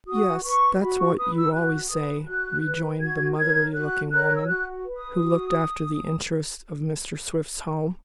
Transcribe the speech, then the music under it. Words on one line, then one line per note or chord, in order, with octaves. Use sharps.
"Yes; that's what you always say," rejoined the motherly-looking woman, who looked after the interests of Mr. Swift's home.
F#4 D#6
B4 C#6
F#4 B5
C#6
B4 D#6
E6
F#4 F#6
B4 D#6
F#4 F#6
B4
F#4 G#6
A#4 C#5 G#6
F#4 F#6
A#4 C#5 F#6
E6
F#4 F#6
B4
D#6
F#4